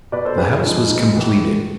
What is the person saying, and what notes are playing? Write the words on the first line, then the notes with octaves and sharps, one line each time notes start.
The house was completed.
B2 B4 D5
A4 C5
A1 G#4 B4
G#2 F3
B1
A2 E3